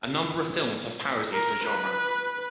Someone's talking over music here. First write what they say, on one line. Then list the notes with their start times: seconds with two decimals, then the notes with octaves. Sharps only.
A number of films have parodied the genre.
1.33 A#4
1.64 B4